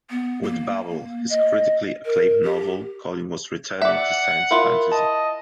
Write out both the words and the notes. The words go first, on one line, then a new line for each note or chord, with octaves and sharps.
With "Babel", his critically acclaimed novel, Colin was returning to science fantasy.
B3
A#3
D#5
A#4
G4
D5 E5 F#5
E4 F4 A#4
D#5 A5